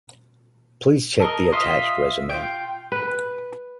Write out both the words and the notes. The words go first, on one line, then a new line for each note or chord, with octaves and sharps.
Please check the attached resume.
A4 A#4 D#5
F4 D#5 E5
F4 G5
B4